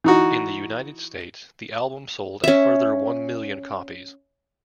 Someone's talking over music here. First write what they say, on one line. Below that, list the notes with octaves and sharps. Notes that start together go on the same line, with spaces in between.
In the United States, the album sold a further one million copies.
E3 D#4 F#4
C#4 E5